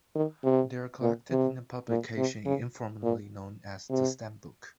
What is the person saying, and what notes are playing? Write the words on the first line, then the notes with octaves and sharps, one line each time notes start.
They are collected in a publication informally known as the "Stem Book".
D#3
C3
A#2
C3
A#2
C3
C#3
A#2
C3